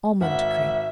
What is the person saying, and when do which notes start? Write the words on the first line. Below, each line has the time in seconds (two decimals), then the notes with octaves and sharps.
Almond Cream.
0.21 G#1 E5 F#5